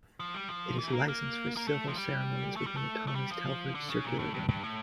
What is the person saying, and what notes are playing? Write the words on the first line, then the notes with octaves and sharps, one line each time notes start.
It is licensed for Civil Ceremonies within the Thomas Telford Circular Room.
F3
G3
F3
E3
A3
A#3
A#3
A#3
A3
F3
G3
A3
G3
A3
A3
G3
F3
D3
C#3
A#2
A2
G2
G2
A2